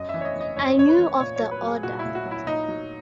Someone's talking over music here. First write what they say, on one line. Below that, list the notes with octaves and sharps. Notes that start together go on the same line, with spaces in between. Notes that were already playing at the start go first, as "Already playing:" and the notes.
I knew of the order.
Already playing: F#2 D#5
E3 E5
C#5
D#5
E3 D#5
F#2 C#5
F#2 C#5
B4
E3
A#2 C#5
F#3 C#5
B4
F#3
G#4
A#2 F#4
E4
A#2
F#4
F#3
E4
A#2 D#4
F#3